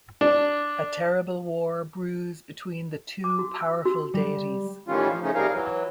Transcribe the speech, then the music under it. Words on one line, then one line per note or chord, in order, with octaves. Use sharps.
A terrible war brews between the two powerful deities.
D4
D6
F#4
E6
F#4
G3
A2 D#3 E3 G3 C#4 F4
F3
C#3 F3 A3 C#4 D#4
C3 G3 D#4 G#4 A#4 F5
E3 F#3